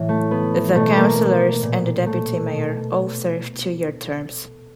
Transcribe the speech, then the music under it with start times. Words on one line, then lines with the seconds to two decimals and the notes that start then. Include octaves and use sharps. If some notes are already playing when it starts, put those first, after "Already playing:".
The Councillors and the Deputy Mayor all serve two year terms.
Already playing: A2 E3
0.09 A3
0.31 B3
0.75 B2 A3
0.97 A#3
1.63 A#2
2.06 A3
2.51 B2